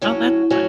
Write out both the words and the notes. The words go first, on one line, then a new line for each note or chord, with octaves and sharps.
Oh, that's fine.
A2 F#3 C#4 F#4
A2 F#3 C#4 F#4